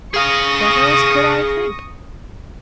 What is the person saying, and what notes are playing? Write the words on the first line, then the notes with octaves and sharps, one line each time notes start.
What else could I think?
G#4 F5 C#6 D#6 A#6